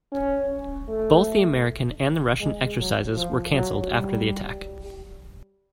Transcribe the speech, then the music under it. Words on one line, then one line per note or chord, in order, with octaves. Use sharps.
Both the American and the Russian exercises were cancelled after the attack.
C#4
A3
G#3
F#3
F3
F#3
G3